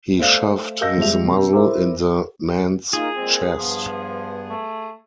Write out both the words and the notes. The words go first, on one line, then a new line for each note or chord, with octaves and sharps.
He shoved his muzzle in the man’s chest.
A3 C5 D5 F5
A#4 D#5 F5 E6 G6 A#6
F2 F3 G3 G#3 E5 F7
C3
E4 A#4 C5 D6
A#3 D#4 F4 G#4
A#2 G#3 C4
G2 F3 B3
A3